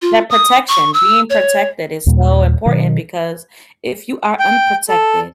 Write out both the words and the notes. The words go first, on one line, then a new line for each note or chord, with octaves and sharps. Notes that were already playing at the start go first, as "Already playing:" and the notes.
That protection, being protected is so important, because if you are unprotected,
F4
D#6
C#6
E6
C#5
D#2 A#2 G3
B2 D#3 F#3
G5
A4